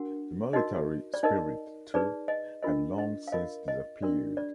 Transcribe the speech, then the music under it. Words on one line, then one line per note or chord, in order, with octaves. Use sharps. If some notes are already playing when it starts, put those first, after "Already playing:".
The military spirit, too, had long since disappeared.
Already playing: D4 F#4 A#4 F#5
D#4 F#4 A#4 D#5
D5
D#4 A#4 D#5
D#4 G#4 B4 D5
D#5
D4 F4 A#4 D#5
D#5
F5
F4 A#4 D#5
D#5
D4 F#4 A#4 D5
D5